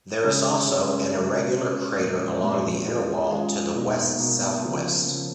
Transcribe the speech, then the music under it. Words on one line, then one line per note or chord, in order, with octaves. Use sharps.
There is also an irregular crater along the inner wall to the west-southwest.
C#3 G#3 C#4
C#3 G#3 C#4
C#3 G#3 C#4
C#3 G#3 C#4
A#2 F3 G#3 C#4
A#2 F3 G#3 C#4
G#3 C#4 F4 G#4
G#3 C#4 F4 G#4
B2 A#3 D#4
B2 A#3 D#4
C#3 F3 A#3
C#3 F3 A#3